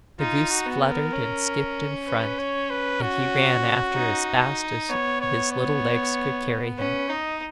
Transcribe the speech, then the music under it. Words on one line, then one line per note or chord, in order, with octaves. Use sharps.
The goose fluttered and skipped in front, and he ran after as fast as his little legs could carry him.
D#4 F4
F#4
B3
A#4
C#4
B4
C#5
B4
F#4
D#4
B3 C#5
C#5
C#5
C#4 B4
D#4 D#5